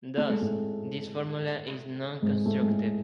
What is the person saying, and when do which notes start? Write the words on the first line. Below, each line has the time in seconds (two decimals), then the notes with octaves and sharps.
Thus, this formula is non-constructive.
0.17 A3
0.30 G#3
0.41 A2 A3
2.22 G#2 G#3
2.46 A2 A3
2.63 G#3
2.69 A2 A3